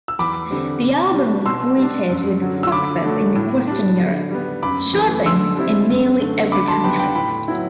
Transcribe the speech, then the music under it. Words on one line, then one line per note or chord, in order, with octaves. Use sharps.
The album was greeted with success in western Europe, charting in nearly every country.
E6
E2 B5 D6
D3 G3 C4
C3
G3 D4
B2 C6 E6
G3 D4
F#2
D3 F#3
E6
D3 B5 D6
F#3 A3 D4
A2
G3 D4
D3
G3 B3
F#2 B5 D6
E3
A3
D3 C6 E6
G3 C4 E4
F#2
D3 A3
D3 B5 D6
A5 C6
G3 B3 D4 G5 B5
G5 B5
A2 G5 B5
F#3 B3 E4